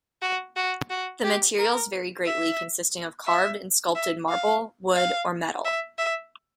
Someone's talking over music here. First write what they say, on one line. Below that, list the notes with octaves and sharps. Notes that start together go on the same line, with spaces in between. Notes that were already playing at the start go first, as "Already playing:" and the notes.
The materials vary greatly consisting of carved and sculpted marble, wood, or metal.
F#4
F#4
F#4
G4
A#4
E5
E5
E5
F5
F5
E5
E5